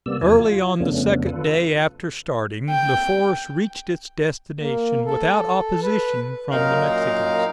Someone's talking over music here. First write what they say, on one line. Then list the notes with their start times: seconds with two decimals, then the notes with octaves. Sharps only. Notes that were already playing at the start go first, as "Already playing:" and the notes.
Early on the second day after starting the force reached its destination, without opposition from the Mexicans.
0.06 C3 G3 A#3 B3 D5 E6
0.21 E2 F3 E4 D5 G#5
0.39 F4
0.80 F2 C#3 A3 B3 C#4 D4
1.27 F4 A4 B4
2.70 G5
4.60 A#3
5.06 A4
5.83 B4
6.51 F#2 A#2 D#4 A#4 F5